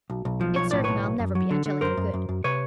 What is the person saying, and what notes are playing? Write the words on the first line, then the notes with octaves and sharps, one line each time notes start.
It's certain I'll never be angelically good.
B1
B1
F3
B1 C#5
A2 D5
B1 B4 C#5
B1
F#2
F#3
D3
D3
F#2 A#4 C5
F#2
F#2
F#2
C3 B4 C#5